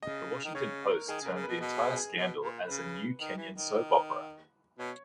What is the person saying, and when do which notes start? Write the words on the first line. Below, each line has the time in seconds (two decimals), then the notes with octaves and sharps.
The "Washington Post" termed the entire scandal as a "new Kenyan soap opera".
0.03 C#3 D#5
0.44 D#3
0.55 C#3 C#5
0.91 A#4
1.08 D#3 G#4
1.21 C#3
1.26 A#4
1.35 C#3
1.43 B2 B4
1.61 B2 D#5
1.78 G#4
1.96 G#4
2.14 B2
2.41 A#2
2.67 C#3 B4
3.20 D#3
3.37 E3
3.55 D#3
4.79 B2 C#5